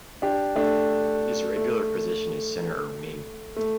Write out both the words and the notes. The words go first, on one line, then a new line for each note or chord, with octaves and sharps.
His regular position is centre or wing.
D4 G4
A3 D4
A3
A3